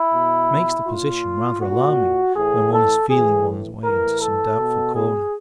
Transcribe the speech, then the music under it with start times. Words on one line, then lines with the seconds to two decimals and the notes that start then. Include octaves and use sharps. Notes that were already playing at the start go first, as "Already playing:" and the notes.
It makes the position rather alarming when one is feeling one's way into some doubtful corner.
Already playing: E4
0.13 B2
0.87 A#2 F4
1.61 A#2 F#4
2.36 A2 E3 G#4
2.73 A4
3.10 A2 E3 G#4
3.84 A2 E3 A#4
4.22 A4
4.58 B2
4.96 G#4